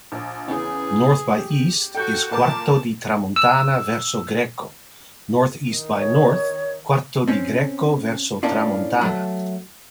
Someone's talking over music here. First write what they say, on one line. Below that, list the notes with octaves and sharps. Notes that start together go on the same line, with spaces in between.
North-by-east is "Quarto di Tramontana verso Greco", northeast-by-north "Quarto di Greco verso Tramontana".
A#1
E2 C#3 G#4
G4
F#4 A4 G5 G6
A#2 A#4 A5 D6
E6
D#3
C#5
C4 C#4
A2 A#3 C#4 D4 F4
F#3 A3